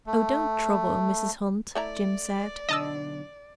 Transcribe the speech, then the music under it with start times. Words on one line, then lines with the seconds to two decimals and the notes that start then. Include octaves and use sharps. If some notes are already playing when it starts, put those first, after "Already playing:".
"Oh, don't trouble, Mrs. Hunt," Jim said.
0.07 A3
1.75 A3 E4 D5 A#5
2.69 B1 D3 D4 D#5 A5 E6